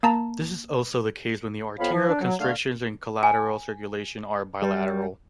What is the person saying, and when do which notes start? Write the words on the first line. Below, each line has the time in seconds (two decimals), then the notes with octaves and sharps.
This is also the case when the arterial constriction and collateral circulation are bilateral.
0.03 A#3 A5 A#5
1.79 F2 F3 B3 C#5 F5 B5
1.93 F3
2.08 D4
2.21 F#3
2.40 D3 A3 F5
3.23 G#5
4.62 G3